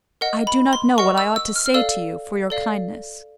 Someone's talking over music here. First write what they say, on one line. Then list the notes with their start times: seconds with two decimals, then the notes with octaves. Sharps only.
"I do not know what I ought to say to you for your kindness."
0.21 A#4 D#5 F#5
0.47 B5
0.73 C6
0.98 A#4 D#5 F#5 C#6
1.18 E6
1.36 E6
1.56 F6
1.66 F6
1.74 A4 D5 F5 E6
2.50 A4 D5 F5